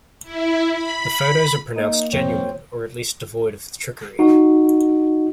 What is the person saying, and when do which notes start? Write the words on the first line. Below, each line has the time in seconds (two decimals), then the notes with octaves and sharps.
The photos are pronounced genuine, or at least devoid of trickery.
0.22 E4
0.69 B5
1.75 A#3 D#4
2.13 F2 A2 C3 C4 C#5
4.19 D#4 F#4